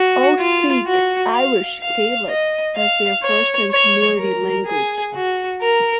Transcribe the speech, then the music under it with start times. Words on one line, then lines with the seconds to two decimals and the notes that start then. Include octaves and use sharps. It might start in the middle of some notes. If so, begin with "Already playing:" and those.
All speak Irish Gaelic as their first and community language.
Already playing: F#4
0.39 F4
0.86 F#4
1.34 F5
1.82 F5
2.29 D#5
2.76 F5
3.24 C#5
3.72 C#5
4.19 A#4
4.67 G#4
5.14 F#4
5.62 A#4